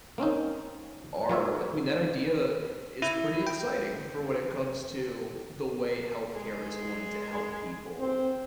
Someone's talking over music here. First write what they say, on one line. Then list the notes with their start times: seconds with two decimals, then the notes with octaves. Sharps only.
are I mean, that idea i is pretty exciting for when it comes to the way health care is going to help people,
0.18 A#3 C4 C#4 D#4
1.29 F#3 F4 C#5 E5
3.02 E4
3.47 G5
6.35 G#3
7.99 C4